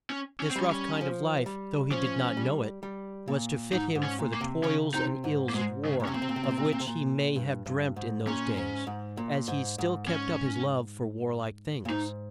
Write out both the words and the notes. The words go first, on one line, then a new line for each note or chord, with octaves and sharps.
This rough kind of life, though he did not know it, was to fit him for the toils and ills of war, of which he may have dreamt in those days, as he still kept up his love for war-like things.
C#4
C#4
C4
G3 C#4
C#4
F3
G3
F3 C#4
G3
G3
A#2
G#2 D#4
G#2
C#4
A#2
A#3
C3
C#3 C#4
C3 D#4
G#2
A#3
G#2 G#3
C#3
A#2
C3 C#4
A#2 C4
C3
A#2
C3
A#2
C3
A#2
C3
A#2
C3
A#2
G2
G2
G#2
A#2 C#4
G#2
G#2
A#2
G#2
G#2
C#4
A#2
G#2 D#4